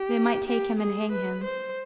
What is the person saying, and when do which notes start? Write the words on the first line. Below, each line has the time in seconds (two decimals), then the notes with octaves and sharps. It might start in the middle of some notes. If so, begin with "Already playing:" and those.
They might take him and hang him.
Already playing: G4
0.48 G4
0.80 G#4
1.12 B4
1.44 C5